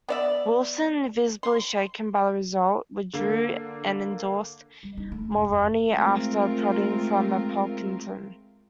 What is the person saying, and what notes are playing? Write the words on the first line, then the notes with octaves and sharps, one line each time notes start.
Wilson, visibly shaken by the result, withdrew and endorsed Mulroney after prodding from Pocklington.
B3 D5 E5
C6
D3 A#3
G3
D#4
A3
E1
F1
G#3 A3 C4 F4 A#4